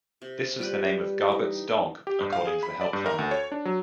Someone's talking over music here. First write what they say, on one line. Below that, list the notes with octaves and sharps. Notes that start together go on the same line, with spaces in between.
This was the name of Garbutt's dog, according to the help file.
C3
G3 F4 G4 B4
E3 D#4
G4
G2
F5
G#4
B5
D5
G2
A#4
D2
C#5
D4
F#3